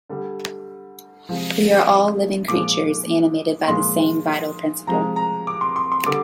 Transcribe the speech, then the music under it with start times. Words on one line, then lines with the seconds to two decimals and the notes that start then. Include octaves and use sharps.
We are all living creatures, animated by the same vital principle.
0.09 D3 G3
1.29 C3 F3 G#3
2.48 A#2 F3 G#3 D6
3.67 A#2 F3 G#3 C6
4.87 C3 F3 G#3 A#5
5.16 A#5
5.47 D6
5.61 C6
5.76 C6
5.92 C6
6.06 D3 G3 D6